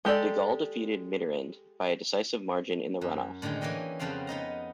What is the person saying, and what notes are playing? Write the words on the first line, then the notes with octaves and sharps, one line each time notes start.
De Gaulle defeated Mitterrand by a decisive margin in the runoff.
G#3 G4 A4 D5
F#2
A2 D3 D#3 G#3 G4
E3 A#3 C#4 D#5 G5
F2 C#3 F3 B3 C4 F5
B3 D#4 D#5 A#5